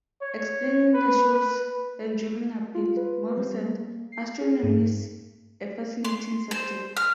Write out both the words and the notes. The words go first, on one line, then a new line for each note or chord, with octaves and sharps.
Explaining the show's enduring appeal, Moore said: Astronomy's a fascinating subject.
C#5
B4
B4
F4
B4
G3
A#3
C7
G#4
G#2
C6
C5
F6